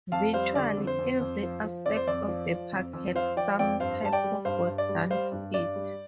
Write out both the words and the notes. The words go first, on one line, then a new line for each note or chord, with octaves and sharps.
Virtually every aspect of the park had some type of work done to it.
F2 F5 A5
G3 C5 F5
D3 D5
F2
C5
F2
F2
F3
F3
F2 D5
C5
F2 D5
F3
F3
F2
F2
F3 C5 F5
F3 D5 G5
F2 D5 G5
G2 C5 F5
G3 A5
D5 G5
G3
G2 C5 F5
G2
D5
G3
G3 C5 F5
G2
G2 D5
G3